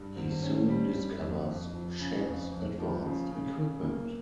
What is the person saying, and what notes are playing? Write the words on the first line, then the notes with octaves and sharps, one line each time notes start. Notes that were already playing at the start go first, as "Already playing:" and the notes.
He soon discovers Shep's advanced equipment.
Already playing: G2
G#1
C#4
G3
G2
F2
F2
F3
C#3
F2
F2
F3
C#3
C#3
C#3
A#3